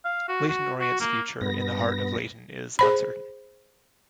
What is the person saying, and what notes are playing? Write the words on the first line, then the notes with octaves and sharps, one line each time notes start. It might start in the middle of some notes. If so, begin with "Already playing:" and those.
Leyton Orient's future in the heart of Leyton is uncertain.
F5
F#4
F#4
F#4
A#3
G2 B3 A#6
G#4 C5 B5